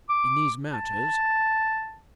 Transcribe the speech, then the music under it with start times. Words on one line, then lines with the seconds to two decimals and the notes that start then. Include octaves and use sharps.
In these matters.
0.09 D6
0.74 A5